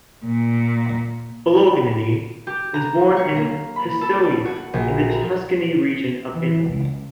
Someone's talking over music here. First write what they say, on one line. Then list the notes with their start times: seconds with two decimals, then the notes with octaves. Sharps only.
Bolognini was born in Pistoia, in the Tuscany region of Italy.
0.25 A#2
2.47 G4
2.74 A#5
3.16 C#5
3.36 A#3
3.76 B5
4.01 A4
4.45 F#4
4.73 A#1
5.10 A#5
6.35 E3
6.69 C#2